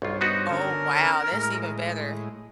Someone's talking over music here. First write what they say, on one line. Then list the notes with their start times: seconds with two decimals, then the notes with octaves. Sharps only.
Oh, wow. That's even better.
0.02 B1 G2 F4 C5 C#5
0.21 B3 D#4 F#4
0.50 D3 C#4 A4 A#4
1.32 A2 G#3